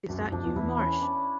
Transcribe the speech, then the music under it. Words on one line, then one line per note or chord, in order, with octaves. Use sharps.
Is that you, Marsh?
F#2 F#3 D4
F#2 F#3
F2 F3 D4
E2 E3
E2 E3 E4
C#4
D4